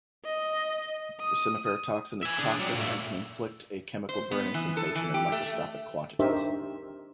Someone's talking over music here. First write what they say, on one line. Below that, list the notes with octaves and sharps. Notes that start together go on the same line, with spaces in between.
Resiniferatoxin is toxic and can inflict a chemical burning sensation in microscopic quantities.
D#5
D#6
E5 G#5
D4 G#4
F#3 G3
A#2 A3
C5
B3
E3
A4
E3
G4
A3
D4 D#4 G4 A#4 C5 E5